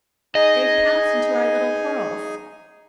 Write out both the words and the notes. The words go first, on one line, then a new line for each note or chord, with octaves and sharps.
They've pounced into our little quarrels....
D#4 G#4 D#5 G#5